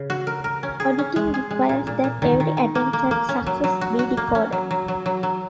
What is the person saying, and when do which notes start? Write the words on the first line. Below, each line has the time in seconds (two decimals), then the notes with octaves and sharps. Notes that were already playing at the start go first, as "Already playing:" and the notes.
Auditing requires that every attempt at access be recorded.
Already playing: C#3
0.10 F#4
0.27 A#4
0.44 A#4
0.63 C#4
0.80 G#4
0.99 C#4
1.16 G#3
1.34 G#4
1.51 G#3
1.69 A#2
1.87 A#2
2.04 A#2
2.22 D#3
2.40 D#3
2.57 D#3
2.75 A#3
2.93 A#3
3.11 A#3
3.29 C#4
3.46 F#3
3.64 F#3
3.81 F#4
3.99 F#4
4.17 A#3
4.35 C#4
4.52 F#3
4.71 F#3
4.88 F#3
5.06 F#3
5.23 F#3